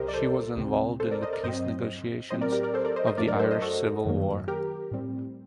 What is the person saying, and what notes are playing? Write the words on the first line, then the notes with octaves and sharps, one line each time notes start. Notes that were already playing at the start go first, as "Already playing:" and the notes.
She was involved in the peace negotiations of the Irish Civil War.
Already playing: C2 C3 F#3 G4 A#4 C5 D#5
D5
A4 C5
D2 C3 G3 C4
A4 C5
A#4 D5
C5 D#5
A#4 D5
G2 F#3 C4 C5 D#5
A2 F#3 C4 C5 D#5
A#4 D5
G4 A#4
A#4 D5
A4 C5
A#4 D5
C5 D#5
C5 D#5
F#2 F#3 A3 D4 A#4 D5
A#4 D5
A4 C5
C5 D#5
F#4 A4
F#2 D#3 F#3 A#3
G4 A#4
A2 G3 C4